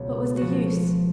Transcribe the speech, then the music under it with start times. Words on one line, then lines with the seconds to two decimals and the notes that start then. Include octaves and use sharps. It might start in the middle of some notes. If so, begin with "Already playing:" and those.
What was the use?
Already playing: C#2 B2 F#3 B3
0.37 F3 F#4